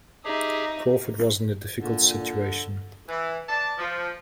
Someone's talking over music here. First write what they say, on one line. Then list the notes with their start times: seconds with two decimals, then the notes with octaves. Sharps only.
Crawford was in a difficult situation.
0.25 D#4 G4 G#4 E5
1.80 A#2 D3
3.09 E3
3.49 D4 D5 A5
3.79 F3